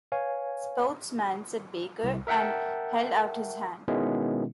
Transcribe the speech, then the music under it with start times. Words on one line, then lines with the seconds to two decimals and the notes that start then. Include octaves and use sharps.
"Sportsman," said Baker and held out his hand.
0.12 B4 C#5 F5 G#5
2.03 C2
2.27 A#4 E5 F#5 G5 A5
3.88 B2 D#3 G#3 B3 C#4 E4